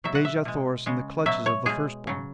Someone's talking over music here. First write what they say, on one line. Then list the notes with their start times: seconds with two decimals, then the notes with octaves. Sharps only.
Dejah Thoris in the clutches of the First Born!
0.04 B2 F#3 E5
0.15 F#5
0.25 E5
0.45 B2 G#3
0.86 C#3 G#3
1.26 B2 F#3 E5
1.46 C#5
1.66 B2 G#3 G#4
2.07 C#3 F#3